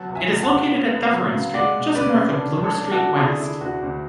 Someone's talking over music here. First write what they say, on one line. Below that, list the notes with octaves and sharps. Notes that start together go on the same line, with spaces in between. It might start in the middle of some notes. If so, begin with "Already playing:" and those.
It is located at Dufferin Street just north of Bloor Street West.
Already playing: F#3 B3 F#5 A5
C#2
E5 G#5
C#2
F#5 A5
C#2
B3
B3
F#3
C#3
G#3 D5 F#5
B2
C#4 B4 D5
C#4
D4
E2
A4 C#5
D4
F#4 A4
D4
D3 E4 G#4
D3 E4
D2 F#4
D2